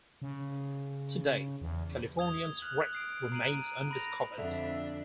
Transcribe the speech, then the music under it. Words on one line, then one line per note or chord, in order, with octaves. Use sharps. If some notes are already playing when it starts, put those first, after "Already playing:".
To date, "Californian"s wreck remains undiscovered.
C#3
E2
D#6 G#6 F7 G7
F6 F#6 F#7
D#6 C7 D7
A#5 C7 D7 D#7 F#7
B5 A#6 F7
F2 D3 D4 E5